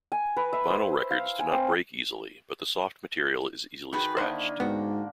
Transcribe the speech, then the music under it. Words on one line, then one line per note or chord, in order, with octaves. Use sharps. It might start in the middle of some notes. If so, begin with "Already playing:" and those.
Vinyl records do not break easily, but the soft material is easily scratched.
G#5
B4
E5
C5
F5
G#5
C4
D#3 F#4 G#4 B4
D3 A#3 E4 C5 D#5 B5 C#6
G#2 B3 F#4 G5